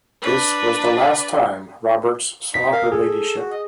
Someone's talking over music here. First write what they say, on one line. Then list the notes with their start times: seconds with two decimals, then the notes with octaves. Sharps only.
This was the last time Roberts saw her Ladyship.
0.22 D4 B4
2.54 D#4 B6
2.72 A#4 F5
2.92 G#4 A4
3.36 F#4
3.51 D#5